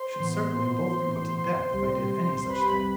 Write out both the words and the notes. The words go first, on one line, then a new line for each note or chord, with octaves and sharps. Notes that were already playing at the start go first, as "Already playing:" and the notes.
'We should certainly both be put to death if I did any such thing.'
Already playing: C5 C6
A2 E3 B3
C2 C3 G3
B4 B5
B4 B5